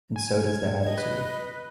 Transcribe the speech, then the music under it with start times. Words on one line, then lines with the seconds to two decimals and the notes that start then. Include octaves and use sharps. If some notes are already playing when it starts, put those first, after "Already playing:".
And so does the attitude.
0.16 G#5
0.40 G#6
0.84 D#5
0.98 B4